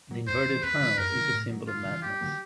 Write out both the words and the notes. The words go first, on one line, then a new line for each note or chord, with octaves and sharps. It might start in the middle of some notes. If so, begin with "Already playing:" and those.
The inverted funnel is a symbol of madness.
D3 F#3 A#3
E2 C5
C#3 E3
D#2 B4
D3 F3 G#3
F#2 A#4
C#3 E3
A2
F#3 A#3
D2 F4
C#3 E3
G2 G4
D3 F#3 A#3